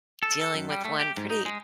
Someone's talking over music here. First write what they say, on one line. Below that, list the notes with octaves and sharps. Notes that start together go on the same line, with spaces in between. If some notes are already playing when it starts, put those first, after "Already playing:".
dealing with one pretty
A4
A4
F#2
G3
A3
G4
G#2
D#4
G#3